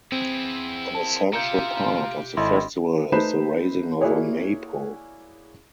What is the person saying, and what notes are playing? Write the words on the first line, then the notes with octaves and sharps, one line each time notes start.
An essential part of the festival is the raising of a maypole.
C4 E4 G#4
A5
F4 G4 E5 A#5 G6 C#7
G#1 E4 A4 D#5 B5 C6
A3 D#4 B4 C5 B5 E7
A#3 E4 F#4 G#4 C#5 D5